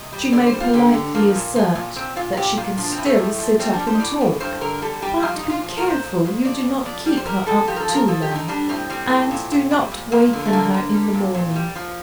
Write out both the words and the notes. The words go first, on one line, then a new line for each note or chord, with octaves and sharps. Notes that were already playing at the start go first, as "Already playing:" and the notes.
She may politely assert that she can still sit up and talk, but be careful you do not keep her up too long; and do not waken her in the morning.
Already playing: C3 D#5
G3
D3 D5
C5
G3
F4
D3 G4
D3
F3 A#3
A#2
F3
A#2
A#2 C4
A#2 F4
A#2 G4
A#2 F4
F3 D4
C4
A2
A3
A2
F3
G3 C4
D4
G3
C5
D#5
A2 D5
A2
G2 C5
D3 A#4
G3 A4
G3 G4
F3 F4
D#4
A#2
F4
F3
A#4
A#2
C5
F2
F2
F2 D5
F2
F2 D5
G3
C5
G3 A#4
G3 A4
F3 G4
A#4
A4
F3
A#4
F3 A4
G4
D3
D#4
G3 D4
A2 C4
G3 C4
A2
A#2
A#2
G3
A#2
F2 A#3
D3
A3
D3 A#3
D3
G3
A#2
A#2
G3
F3